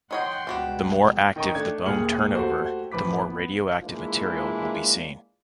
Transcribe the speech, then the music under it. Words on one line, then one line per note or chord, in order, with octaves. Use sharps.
The more active the bone turnover, the more radioactive material will be seen.
D#4 C#5 D#5 F#5 G5 C6
C#2 B2 D4 F#4 G4
D#3 C#4 D#5 G5 A#5 C#6
A3 D4 G#6
D#1 D#2 G#4 F6 C#7 F#7
A3 F#4 G4 A4 C5
A1 E3 F3 B4 D6 B6
B3
E3 G#3 A#3 D4 E4 F4